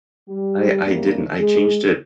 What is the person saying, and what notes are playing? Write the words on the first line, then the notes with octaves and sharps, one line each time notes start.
I I didn't, I changed it
G3 G4
E2 E3 G3 A#3 C#4
G#3 G#4